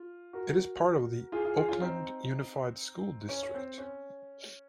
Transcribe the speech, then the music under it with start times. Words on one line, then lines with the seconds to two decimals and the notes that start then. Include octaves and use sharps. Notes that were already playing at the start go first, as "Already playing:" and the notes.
It is part of the Oakland Unified School District.
Already playing: F4
0.33 F#4 A#4
1.32 F4 G#4
1.44 F4 G#4
1.57 F4 G#4
1.69 C#4 F4
1.81 C4 D#4
3.29 C#4
3.43 C#4
3.54 C4
3.78 C#4